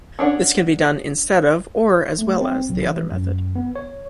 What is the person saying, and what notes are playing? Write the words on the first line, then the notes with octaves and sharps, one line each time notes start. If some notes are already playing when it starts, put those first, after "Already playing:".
This can be done instead of, or as well as, the other method.
C#4 D4 C#5 F#5
A3
C4
B1
E3
F#2
B3
C#5